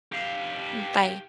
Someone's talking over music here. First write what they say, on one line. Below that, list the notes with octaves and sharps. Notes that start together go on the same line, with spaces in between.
Mm, bye.
G4 F5